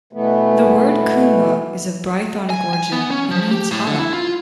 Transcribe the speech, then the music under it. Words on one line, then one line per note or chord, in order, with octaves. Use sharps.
The word "coombe" is of Brythonic origin and means "hollow".
B2 E3 A3 B3
G#5
G#5
B3
C#4
F3
G4
A2
D3
E4
F4